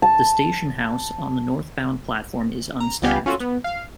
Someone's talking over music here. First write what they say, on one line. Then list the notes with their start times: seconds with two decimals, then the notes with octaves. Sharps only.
The station house on the northbound platform is unstaffed.
0.02 A5
2.80 A#5
3.02 C#2 G3 B3 G4 F5 G#5
3.26 C#4 F4 F#4 A4
3.40 B3
3.64 F5